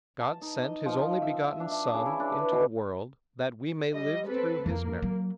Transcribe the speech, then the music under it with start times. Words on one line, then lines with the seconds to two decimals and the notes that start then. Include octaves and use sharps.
God sent His only-begotten Son into the world that we may live through His merit.
0.20 A5
0.42 D#4
0.63 D#5
0.85 F3
1.22 E5
1.60 D4
1.72 E5
1.94 C#3
2.06 E4
2.20 D4
2.33 B4
2.52 B2
3.93 G3 D#5
4.27 C4 A4 B4
4.66 F2 A#3
5.02 F#3